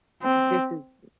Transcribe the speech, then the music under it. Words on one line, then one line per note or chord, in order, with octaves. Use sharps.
this is
C4